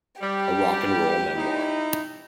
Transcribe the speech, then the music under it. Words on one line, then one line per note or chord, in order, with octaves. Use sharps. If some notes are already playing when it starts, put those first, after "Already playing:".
A Rock-and-Roll Memoir.
G3 G4
D#4 E4